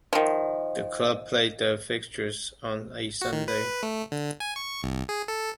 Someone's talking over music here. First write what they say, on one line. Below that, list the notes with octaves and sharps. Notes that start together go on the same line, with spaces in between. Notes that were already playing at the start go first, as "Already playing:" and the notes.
The club play their fixtures on a Sunday.
D#3 F3
F#4
D#3
B4
A3
D3
G#5
C#6
C2
G#4
A4